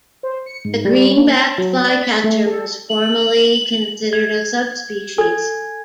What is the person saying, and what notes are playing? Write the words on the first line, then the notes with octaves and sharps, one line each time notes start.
The green-backed flycatcher was formerly considered a subspecies.
C5
C#7
G#2
G3
A#3
A5
F#3
D5
B6
A3
A4
F#7
G#6
A4 G#5 G#6